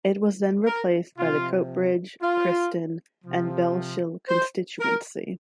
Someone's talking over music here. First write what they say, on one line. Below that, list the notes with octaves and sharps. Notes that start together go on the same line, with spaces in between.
It was then replaced by the Coatbridge, Chryston and Bellshill constituency.
A#4
C3 F3 F4
F4
C3 F3
C5
A#4